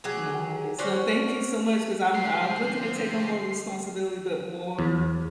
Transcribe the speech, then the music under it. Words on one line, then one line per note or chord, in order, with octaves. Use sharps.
Nice. No, thank you so much 'cause I'm I'm looking to take on more responsibility, but more
F#3 G4 G#4
C#4 F#4 C5 D5
D3 F3 C4 G4 C5 C7
E2